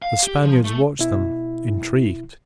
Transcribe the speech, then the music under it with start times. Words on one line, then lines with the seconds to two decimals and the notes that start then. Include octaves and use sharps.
The Spaniards watched them, intrigued.
0.02 F5
0.23 G4
0.43 F3
0.64 A3
0.99 B2 E4